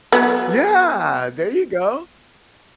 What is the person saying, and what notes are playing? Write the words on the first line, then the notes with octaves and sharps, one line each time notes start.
Yeah, there you go.
F#3 B3